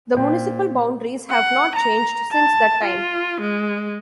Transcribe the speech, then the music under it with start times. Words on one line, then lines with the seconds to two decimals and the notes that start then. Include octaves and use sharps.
The municipal boundaries have not changed since that time.
0.15 A#2 C5 G5
1.30 F#5
1.76 A#5
2.32 A5
2.85 F4
3.41 G#3